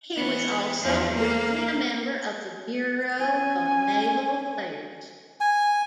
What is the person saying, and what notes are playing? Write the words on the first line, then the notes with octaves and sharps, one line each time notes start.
He was also briefly a member of the Bureau of Naval Affairs.
E3 B3
E2 F3
A#3
C#4 G#5
G#5